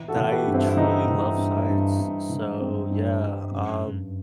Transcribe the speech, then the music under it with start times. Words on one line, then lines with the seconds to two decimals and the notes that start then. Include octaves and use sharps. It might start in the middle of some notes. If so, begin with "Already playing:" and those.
that I truly love science, so, yeah, um
Already playing: E3
0.08 F#4 A4
0.16 E3
0.31 G4 B4
0.47 G2
0.54 C4 E4
0.67 E4
0.77 E3 D#4
1.08 E3
1.38 G2
1.70 G2
2.00 G2
2.30 E3
2.61 G2 C4
2.91 G2
3.22 G2
3.51 F#2
3.83 F#2